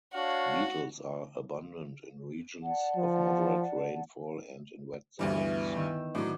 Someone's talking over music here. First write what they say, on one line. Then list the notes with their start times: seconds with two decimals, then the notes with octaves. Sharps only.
Beetles are abundant in regions of moderate rainfall and in wet zones.
0.13 D4 F#4 C#5 F5
2.61 D5 F#5 A5
2.96 F3
5.19 D2 G2 E3 G3 B3
5.77 D#3 E6
6.15 A2 F#3 D4 F#4 D5